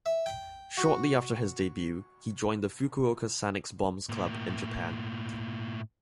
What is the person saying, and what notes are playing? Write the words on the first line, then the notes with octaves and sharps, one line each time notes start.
Shortly after his debut, he joined the Fukuoka Sanix Bombs club in Japan.
E5
G5
F#4
A2 A#3